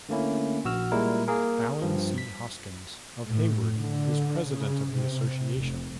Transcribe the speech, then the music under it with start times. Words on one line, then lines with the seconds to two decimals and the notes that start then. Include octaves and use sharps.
Allen C. Hoskins of Hayward, is President of the Association.
0.09 D3 A3 A#3 C#4 E4
0.65 A#1 F#4 E6 F6
0.92 A#2 G3 G#3 E4 A#4
1.28 A#3 G#4 A#4
1.82 G2 F3
2.18 B6
3.26 A2
3.77 D3
4.49 C#3
4.91 C3
5.54 F1